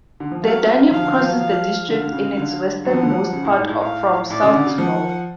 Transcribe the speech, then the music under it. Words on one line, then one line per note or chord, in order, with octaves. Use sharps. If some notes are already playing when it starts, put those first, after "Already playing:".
The Danube crosses the district in its westernmost part from south to north.
D3
F3
F#3 F5
F3 F5
D3
F3
F#3
F3 F5
D3 F5
D3
C#3
C#3
D3
F#3 F#5
F3
D3
F3
C#3
A2
G#2
A2
A2 F5
A2 D5
C#3
D3
C#3
F3 F#5